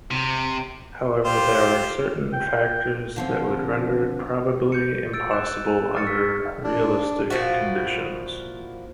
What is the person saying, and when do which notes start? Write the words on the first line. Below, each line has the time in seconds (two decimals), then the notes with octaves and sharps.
However, there are certain factors that would render it probably impossible under realistic conditions.
0.11 C3
1.25 F4 G4 C5
2.33 G5
3.16 D3 F3 C4
4.72 G6 C#7
5.13 E6 A6 D7
5.31 F#6 E7
5.94 C#6 F6 A6 C#7
6.06 E6 B6
6.64 D4
7.30 A#2 F3 E4 F#4